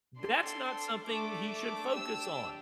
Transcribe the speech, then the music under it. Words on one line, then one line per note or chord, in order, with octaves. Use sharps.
That's not something he should focus on.
D4 A4 C6
A3 D4 A4 D6
D6
D4 G4 E6